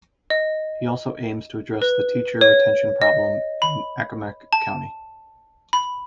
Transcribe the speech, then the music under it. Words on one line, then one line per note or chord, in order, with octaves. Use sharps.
He also aims to address the teacher retention problem in Accomack County.
D#5
B4
C#5
D#5
B5
A5
B5